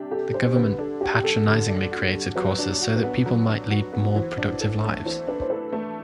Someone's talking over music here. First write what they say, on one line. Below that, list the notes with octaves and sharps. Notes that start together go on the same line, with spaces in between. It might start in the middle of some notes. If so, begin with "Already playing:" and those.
The government patronizingly created courses so that people might lead more productive lives.
Already playing: C3 G3 D4 G4
G4 A4
G3 C5
D3 B4
D4 A4
F#4 G4
G4
G3 A4
D3
D4
F#4
G3
F#3 B4
D4
F#4
B4
B3
F#3
D4
F#4
B3
E3 C5
D4
A4
A3
E3 C5
D4 B4
C5
A4 B4
A3 B4